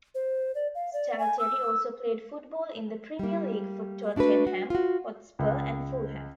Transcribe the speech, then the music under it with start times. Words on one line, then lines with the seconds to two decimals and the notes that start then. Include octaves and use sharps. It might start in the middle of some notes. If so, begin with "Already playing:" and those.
Stalteri also played football in the Premier League for Tottenham Hotspur and Fulham.
0.15 C5
0.55 D5
0.75 F5
0.93 D5
1.19 G#5
1.39 E6
3.19 G3 A#3
4.16 A3 D4 F#4 A4 B4
4.47 F#4
4.70 F4 F#4
5.39 C#2